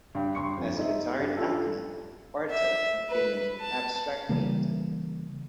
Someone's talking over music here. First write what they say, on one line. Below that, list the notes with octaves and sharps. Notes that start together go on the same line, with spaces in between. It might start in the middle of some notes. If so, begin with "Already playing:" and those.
As a retired athlete, Oerter became an abstract painter.
G2 G5
G2 C6 C#6 C#7
F2
D#4 D#5 E5
G2 C#4 G4
D4 F4 A4
E5
B4
A5
C#3 E3 G3 A#3